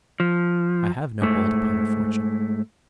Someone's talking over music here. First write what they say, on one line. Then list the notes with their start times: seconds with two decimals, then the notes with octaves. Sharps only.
"I have no hold upon her fortune."
0.20 F3
1.22 G#2 A3